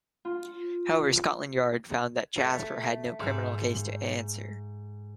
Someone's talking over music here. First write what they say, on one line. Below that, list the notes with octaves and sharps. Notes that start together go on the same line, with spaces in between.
However, Scotland Yard found that Jasper had "no criminal case to answer".
F4
A3
G#2